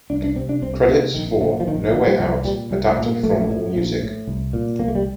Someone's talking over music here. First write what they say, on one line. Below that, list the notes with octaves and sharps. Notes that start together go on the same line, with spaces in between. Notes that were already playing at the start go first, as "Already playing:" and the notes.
Credits for "No Way Out" adapted from Allmusic.
C2 D4
D4
C3 C4
D4
C2 C4
C3 A#3
A#1 D#3
A#2 D3
F3
A#1 D#3
A#2 D#3
G3
C2 F3
A#2 G3
C2 G3
A3
A#2
A#3
A#1 A3
A2
A#1
A2
C2
A#2
C2 A#3
A3
G3